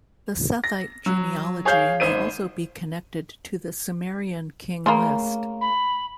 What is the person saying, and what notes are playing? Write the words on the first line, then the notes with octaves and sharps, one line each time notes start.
The Sethite genealogy may also be connected to the Sumerian King List.
A#6
F#3
G#4 C#5 F5 G6
G#1 C5 D#7
C#3 A3 A#3 C6
B5